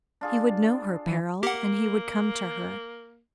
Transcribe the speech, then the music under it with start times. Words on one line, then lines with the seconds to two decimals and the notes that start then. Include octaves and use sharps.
He would know her peril and he would come to her.
0.21 D4 F4 G#4
1.06 E3
1.43 A#3 G4 F#5